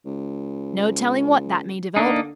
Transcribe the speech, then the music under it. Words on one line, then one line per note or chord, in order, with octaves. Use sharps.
No telling what that may develop.
C#2
D3 A#3 D4 D#4